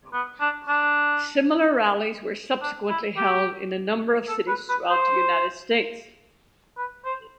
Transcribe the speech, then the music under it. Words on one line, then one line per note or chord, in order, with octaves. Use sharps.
Similar rallies were subsequently held in a number of cities throughout the United States.
B3
D4
D4
D4
E4
G4
A4
B4
B4
C5
B4
C5